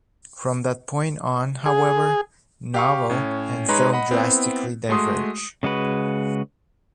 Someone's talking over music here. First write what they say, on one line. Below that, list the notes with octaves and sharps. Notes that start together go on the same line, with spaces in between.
From that point on, however, novel and film drastically diverge.
G#4
G4 F5 C#6
A2 C#4
G#3 D#4 B4 C#5 A#5 C6
D#5 F#5 B5
B3 C4 E4
G#3 A3 F#4 C6 D#6
C#3 G#3 F#4 B4